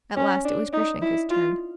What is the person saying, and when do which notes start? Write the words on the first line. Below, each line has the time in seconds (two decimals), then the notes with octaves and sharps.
At last it was Grushenka's turn.
0.17 C#4
0.45 D4
0.73 D#4
1.02 E4
1.30 F4